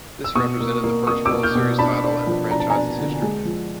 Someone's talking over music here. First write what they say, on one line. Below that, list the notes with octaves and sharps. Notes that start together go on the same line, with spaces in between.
This represented the first World Series title in the franchise's history.
E6
B2 C#6 D#6
A#3
A#3
A#3 C#6 D#6
D6 E6
A#3
F6 G6
B2
D4 A5 B5
D4
F3
D4 A#5
A5
D4 G#5 A#5
D3
G#3
F3